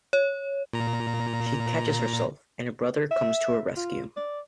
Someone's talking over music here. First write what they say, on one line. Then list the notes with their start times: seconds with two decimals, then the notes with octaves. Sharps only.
She catches herself, and her brother comes to her rescue.
0.13 C#5
0.73 A#2 A#5
3.11 E5
3.77 F4
4.17 D5